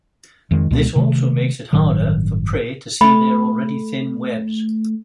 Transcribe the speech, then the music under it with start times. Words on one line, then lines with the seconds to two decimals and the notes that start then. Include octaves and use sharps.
This also makes it harder for prey to see their already thin webs.
0.51 F2 D#3 G#3
0.71 C#2 B2 G#3 B3
0.96 C3 D#3 A3
1.73 G1 A2 D#3 F#3
3.01 A3 B5